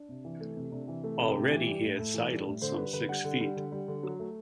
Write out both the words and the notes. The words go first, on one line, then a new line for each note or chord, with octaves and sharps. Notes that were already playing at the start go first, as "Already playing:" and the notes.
Already he had sidled some six feet.
Already playing: D4
C3
E3
A3
C3
C3 D4
E3
A3
C3
A2 G4
E3
G3
A2
A2 A4
E3
G3
A2
D3 C5
G3 B4
D3 B4
G3 F#5
D3
G3
D3
G3
D3
F#3
A3